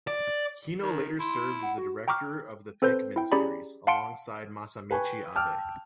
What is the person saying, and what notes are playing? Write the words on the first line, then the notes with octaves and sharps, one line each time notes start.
Hino later served as the director of the "Pikmin" series, alongside Masamichi Abe.
D5
D#3
E4 C6
F#5
F#4
G5 A#5 C#6 D6 F6
C4 A4 B4 C5 G6
E4 G5
C#4 G4 G#4 D5 A#5 B5
F5 F#5 A5 C6 C#7 D7
B4 G5 G#5 C#6
G5 A5 D6 E6 F6